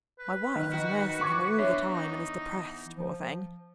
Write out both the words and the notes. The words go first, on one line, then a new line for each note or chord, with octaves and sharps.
My wife is nursing him all the time, and is depressed, poor thing.
B4
D#3
F#4
C#6 D6 G#6
E3 B3 D4 C#5 E5
D#4
F3